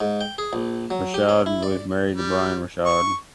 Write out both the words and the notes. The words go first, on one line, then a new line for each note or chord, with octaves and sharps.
Rashad was married to Brian Rashad.
G#2
G5
G#4
A#1
F#3
G4
C#4
E4
D5
G3
C#6